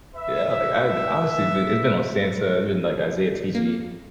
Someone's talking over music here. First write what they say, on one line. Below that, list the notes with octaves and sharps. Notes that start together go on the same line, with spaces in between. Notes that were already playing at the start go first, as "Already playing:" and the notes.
Yeah, like, I'd honestly, it's been it's been ohsxnta, it's been, like, Izaya Tiji.
B4 E5
A#3